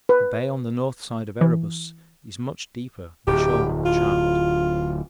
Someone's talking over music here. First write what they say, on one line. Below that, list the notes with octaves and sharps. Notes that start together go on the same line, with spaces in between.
The Bay on the north side of Erebus is much deeper than shown on the chart.
B4
E3
D1 G4
F4